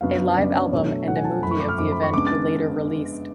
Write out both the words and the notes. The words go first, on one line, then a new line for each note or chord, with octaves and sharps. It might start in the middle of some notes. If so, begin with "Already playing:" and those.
A live album and a movie of the event were later released.
F#2 C#3 F#3 B3 D4 F5
F#2 C#3 F#3 B3 D4 D5
C#5
B2 F#3 A3 D4 C#5
B2 F#3 A3 D4 F#5
G#5
A5
F#2 F3 A3 B5
C#6
D6
F6
F#2 F3 A3 D6
B5
C#6
C#3 G#3 B3 D4 D6
A6